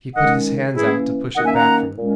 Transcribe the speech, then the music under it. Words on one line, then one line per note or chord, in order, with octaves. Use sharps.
He put his hands out to push it back from him.
D#3 G#3 C#4 D#5 F#5
E3 A#3 C#4 E4 G#4
D#3 A#3 C#4 D#5 F#5
E5 G#5
F#5 A#5
A#2 G#3 C#4